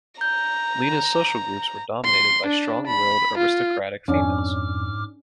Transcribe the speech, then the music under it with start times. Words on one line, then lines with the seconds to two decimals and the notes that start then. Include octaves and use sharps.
Lina's social groups were dominated by strong-willed "aristocratic" females.
0.21 A#5 G6
2.05 C6
2.47 D4
2.87 B5
3.38 F4
4.08 F2 G#2 C#4 D4 D6 F6